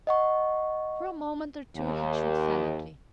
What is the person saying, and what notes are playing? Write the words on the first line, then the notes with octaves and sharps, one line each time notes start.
For a moment or two he chewed silently.
D#5 F#5 C#6
D#2